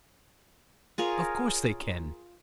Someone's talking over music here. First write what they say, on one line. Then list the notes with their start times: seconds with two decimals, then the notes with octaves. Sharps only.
Of course they can.
0.98 F4 G#4 A#4 C#5